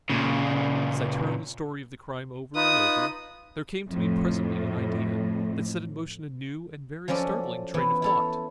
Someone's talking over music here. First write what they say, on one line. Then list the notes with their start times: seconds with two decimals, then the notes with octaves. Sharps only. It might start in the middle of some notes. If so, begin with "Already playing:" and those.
But as I turned the story of the crime over and over, there came to me presently an idea that set in motion a new and very startling train of thought.
0.10 A#2 C#3
2.56 D#4 F4 B4 D#6
3.89 F2 A2
7.08 F3 F#3 C#4 A4 D5
7.74 E3 B3 E4
8.02 E4 A4 C#5